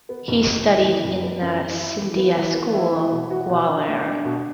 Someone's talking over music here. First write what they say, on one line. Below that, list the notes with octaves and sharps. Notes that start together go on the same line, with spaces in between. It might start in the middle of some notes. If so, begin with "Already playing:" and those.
He studied in The Scindia School, Gwalior.
B3
F#1
F#1
E3
E3
F#1
B3
F#2
E3
E4
E3
B3
E3
B3
E4
E3
B2
F#4
B2
D4
A3
D4
B2